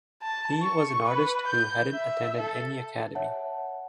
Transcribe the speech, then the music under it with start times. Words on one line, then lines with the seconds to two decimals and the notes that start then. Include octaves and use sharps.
He was an artist who hadn’t attended any academy.
0.22 A5
0.62 C#6
1.07 B4
1.47 G6
1.94 E5
2.40 A4
3.15 C#5 E5 F#5 A5